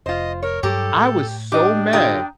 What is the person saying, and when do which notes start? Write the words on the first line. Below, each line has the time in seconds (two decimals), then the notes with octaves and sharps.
I was so mad.
0.06 F1 F4 C5 D#5
0.43 A#4 C#5
0.63 G2 F#3 G3 G4 A4 A#4
0.96 A2
1.52 D4 G4 D#5 D6
1.93 D3 F4 G4 A#4 G5 D#6